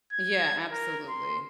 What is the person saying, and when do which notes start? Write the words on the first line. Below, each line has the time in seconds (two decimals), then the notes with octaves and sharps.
Yeah, absolutely.
0.13 G#6
0.71 A#4
1.09 C6